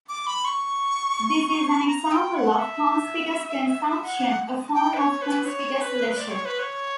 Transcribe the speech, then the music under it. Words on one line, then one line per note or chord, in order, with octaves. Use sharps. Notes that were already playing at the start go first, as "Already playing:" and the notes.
This is an example of "conspicuous consumption," a form of conspicuous leisure.
D6
B5
C#6
B5
A#5
G5
F#5
E5
F#5
G5
B4
C#5
B4
C#5
B4
D5
C#5
B4
C#5